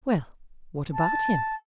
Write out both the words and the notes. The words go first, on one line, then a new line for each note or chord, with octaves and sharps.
"Well, what about him?"
A5